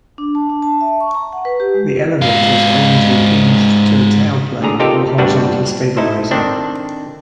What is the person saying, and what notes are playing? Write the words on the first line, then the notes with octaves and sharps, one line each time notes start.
The elevators are usually hinged to the tailplane or horizontal stabilizer.
D4
A5
D4
A5
E5
C#6
A#5
F#5
B4
G4
G#3
G#2 F5
A1 D3 G#4 A#5
C4 D#4 F4 G4 A4 A#4
G1 D2 G3 D4 F#4 B4
D#4 E4 A4 C5
D3 D#3 C4 D4